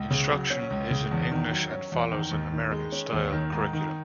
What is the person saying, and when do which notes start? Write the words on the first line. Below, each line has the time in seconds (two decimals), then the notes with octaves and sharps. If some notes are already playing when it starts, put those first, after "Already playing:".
Instruction is in English and follows an American-style curriculum.
Already playing: C#2
0.11 C#3
0.31 F#3
0.50 C#4
0.70 C#2
0.91 C#3
1.11 E2
1.31 D#3
1.51 F#3
1.71 C#4
1.92 E2
2.11 D#3
2.31 D#2
2.52 D#3
2.71 G#3
2.92 C#4
3.12 D#2
3.32 D#3
3.52 G#2
3.73 D#3